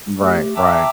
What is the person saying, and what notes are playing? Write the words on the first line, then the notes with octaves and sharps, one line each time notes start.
Right, right.
A3 G4
E5 G5 A5 A#5 D6 E6